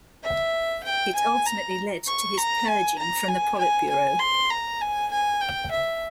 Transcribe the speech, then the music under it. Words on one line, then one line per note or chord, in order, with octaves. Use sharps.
It ultimately led to his purging from the Politburo.
E5
G5
G#5
A#5
C#6
A#5
G#5
A#5
G#5
G#5
G#5
C6
A#5
G#5
G#5
G5
E5